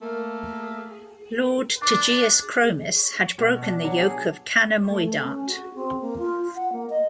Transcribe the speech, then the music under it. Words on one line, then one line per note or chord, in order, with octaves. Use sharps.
Lord tegeus-Cromis had broken the yoke of Canna Moidart.
A3 A#3
D4 D6
B2
D4
F#3
G#4
A3
A3
C#4
F#4
C4
A#3
F4
F#5
A#3
D#5